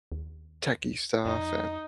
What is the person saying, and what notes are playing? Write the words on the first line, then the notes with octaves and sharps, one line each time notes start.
techy stuff and
D#2
F2 D#4